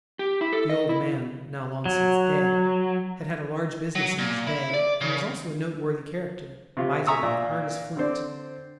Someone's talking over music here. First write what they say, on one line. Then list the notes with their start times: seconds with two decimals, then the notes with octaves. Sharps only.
The old man, now long since dead, had had a large business in his day and was also a noteworthy character, miserly and hard as flint.
0.19 G4
0.41 E4
0.53 A4
0.70 D#5
0.89 E4
1.86 F#3
3.95 F#3
4.18 A#2
4.47 E4
4.74 D5
5.01 C#3
6.77 C3 F4
7.07 E5 G#5 A#5 C#6 D#6 E6
7.23 A#2
7.97 D3 C4 C5 D5